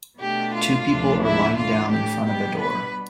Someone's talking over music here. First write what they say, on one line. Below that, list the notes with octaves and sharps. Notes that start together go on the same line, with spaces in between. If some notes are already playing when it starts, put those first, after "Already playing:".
Two people are lying down in front of a door.
B2 A3 D4 G4 G5
F4 F5
D2 C3 F3 A3 D4
E4 E5
A2 E3 A3 D4 F4 F5
G4 G5
B2 G3 B3 D4 G4 G5
B4 B5